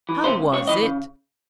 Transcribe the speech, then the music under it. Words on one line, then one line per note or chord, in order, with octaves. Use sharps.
How was it?
E3
C3 C5
C#2
C#2 C#5
E3 D#5
C#3